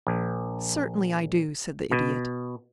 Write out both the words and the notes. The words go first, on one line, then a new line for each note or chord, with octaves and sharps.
"Certainly, I do," said the Idiot.
A#1
B2